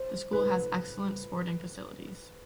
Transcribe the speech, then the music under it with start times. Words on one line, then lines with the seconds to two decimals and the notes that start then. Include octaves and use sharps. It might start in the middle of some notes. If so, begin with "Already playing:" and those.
The school has excellent sporting facilities.
Already playing: C5
0.33 B4